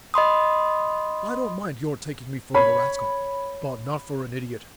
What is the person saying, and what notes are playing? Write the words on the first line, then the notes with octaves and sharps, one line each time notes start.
I don't mind your taking me for a rascal, but not for an idiot.
D#5 B5 C6 D#6
C#5 B5